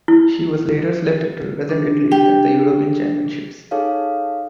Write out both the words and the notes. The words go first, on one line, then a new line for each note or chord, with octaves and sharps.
She was later selected to represent Italy at the European Championships.
E4
D4
G4
D#4 G#4 A4 C#5 F5